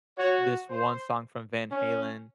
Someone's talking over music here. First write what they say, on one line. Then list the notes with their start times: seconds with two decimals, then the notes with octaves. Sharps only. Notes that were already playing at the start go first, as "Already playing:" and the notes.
this one song from Van Halen,
0.18 F#4 C#5
0.70 C5
1.71 C#4